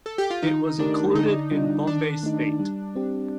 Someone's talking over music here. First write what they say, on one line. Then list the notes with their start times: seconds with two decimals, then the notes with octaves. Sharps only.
It was included in Bombay state.
0.06 A4
0.18 G4
0.30 F4
0.43 D#3 D#4
0.79 A3 D4 D#4 G4 A#4
1.15 D3 D#4
1.51 G3 D4 F4
1.87 D#3 D4
2.23 A3 D#4
2.59 G3
2.95 C4 G4